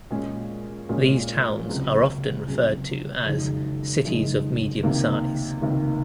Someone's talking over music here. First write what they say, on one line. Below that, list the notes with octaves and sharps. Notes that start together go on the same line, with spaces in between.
These towns are often referred to as "cities of medium size".
A#2 G#3 C#4 G#4
A#2 G#3 C#4 G#4
C#2 C3 F#3 C#4 G#4
C#2 C3 F#3 C#4 G#4
F#1 F2 D#3 G#3
F#1 F2 D#3 G#3
C#2 C3 D#3 A#3
C#2 C3 D#3 A#3